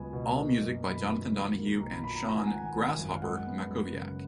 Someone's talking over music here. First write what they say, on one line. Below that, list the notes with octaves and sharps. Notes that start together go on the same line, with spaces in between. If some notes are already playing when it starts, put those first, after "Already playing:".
All music by Jonathan Donahue and Sean "Grasshopper" Mackowiak.
Already playing: C#2 F#3 B3 G#5
B2
A#3
F#2
F#2 B5
D#3
F#3
A#3
B1 A#5
B5
A#2 B5
A#5
F3 A#5
G#5
F#5
G#1 G#5
G#1
F#2
F5
G#3 F#5
B3
F#2
C#3